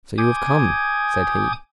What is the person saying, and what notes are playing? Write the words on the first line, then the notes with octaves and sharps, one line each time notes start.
"So you have come?" said he.
G#5 D6 D#6 G6 G#6